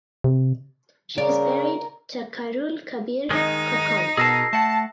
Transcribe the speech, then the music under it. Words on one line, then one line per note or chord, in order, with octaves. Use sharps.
She is married to Khairul Kabir Khokon.
C3
C#3 A#4 D5
D#3 G#3 D#4
B2 G#4 A#4 A5 E6 A#6 C7
A3 F#5 A5